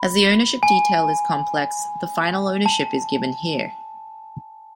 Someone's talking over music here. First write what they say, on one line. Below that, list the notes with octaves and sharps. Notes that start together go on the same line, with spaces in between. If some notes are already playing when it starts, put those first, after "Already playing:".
As the ownership detail is complex, the final ownership is given here.
Already playing: B5
G#5
A5